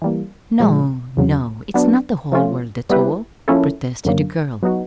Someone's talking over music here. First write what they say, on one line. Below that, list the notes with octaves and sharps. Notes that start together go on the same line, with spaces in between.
"No, no, it's not the whole world at all," protested the girl.
E3 G3 A#3
A#2 F3 G#3
E2 C#3 F#3
F#3 B3 D4
F3 A3 C#4 F4
G3 B3 E4 G4 B4
F3 A#3 C#4 E4 A4
F#2 D3 F#3 A#3
F#3 B3 D#4 F#4